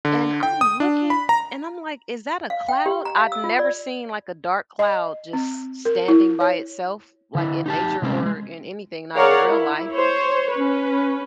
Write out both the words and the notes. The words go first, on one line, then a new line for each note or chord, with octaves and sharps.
and I'm looking and I'm, like, "Is that a cloud?" I've never seen, like, a dark cloud just s standing by itself, like, in nature or in anything, not in real life.
D3
G5
D#6
D4
B5
A#5
F5
G5
G4
A#5
F5
E6
F4
D5
D#5
C4
A#4
E4
C#5
D3 E4
D#4 G4 A5
C3 G#3 C4 C#4
G3 G#3
G#4 A#4 C#5 D5 F5 F#5
E4
C5 C#5
C#4 B4